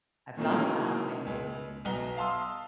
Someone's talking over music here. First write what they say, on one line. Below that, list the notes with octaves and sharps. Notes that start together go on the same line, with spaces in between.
I've thought about maybe
A#2 D#3 F3 A3 A#3 C4
E3 F#3 G#3 A#3 C#4 D#4
C#2
B1 B2 B3 F#5 A#5 G7
F5 A5 C6 D#6 E6